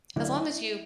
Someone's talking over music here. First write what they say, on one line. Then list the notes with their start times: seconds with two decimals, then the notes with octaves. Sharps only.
as long as you
0.16 D2 D3 F#3 A3 E4